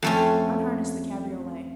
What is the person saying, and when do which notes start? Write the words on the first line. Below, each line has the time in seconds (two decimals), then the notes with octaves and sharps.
Unharness the cabriolet.
0.03 F2 A3 C#4